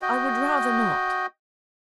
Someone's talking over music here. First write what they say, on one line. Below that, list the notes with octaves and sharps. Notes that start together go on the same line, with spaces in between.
I would rather not.'
F#4 D#5 G5